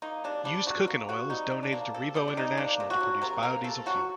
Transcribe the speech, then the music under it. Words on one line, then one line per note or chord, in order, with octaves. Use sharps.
Used cooking oil is donated to Revo International to produce biodiesel fuel.
A#3 D#4
C3 D4
G3 D4
C3 F#4
A#3
C3 F#4
G3 D#4
C3
D4
A#3
C3 A4
G3 G4
D4
C3 D#4
A#3 D4
C3
F#4
F#3
C3 A#4
A#3 A#4
C3 A4
F#3 F#4